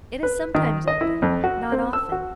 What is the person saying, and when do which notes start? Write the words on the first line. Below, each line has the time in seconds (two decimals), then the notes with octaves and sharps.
It is sometimes open--not often.
0.23 B4
0.55 D#3
0.88 D#5
1.01 E4
1.22 F2
1.44 F#4
1.72 C4
1.93 E6
2.12 F#4